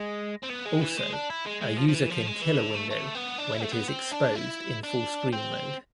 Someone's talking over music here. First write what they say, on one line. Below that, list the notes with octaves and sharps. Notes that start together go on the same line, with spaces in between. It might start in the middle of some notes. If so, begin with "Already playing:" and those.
Also a user can kill a window when it is exposed in fullscreen mode.
Already playing: G#3
C4
B3
G#3
E3
G#3
D4
E4
G#3
G#3
F3
F3
E3
F3
G#3
E3
D3
A3
A3
B3
D4
E4
A3
B3
C4
D4
E4
D4
C4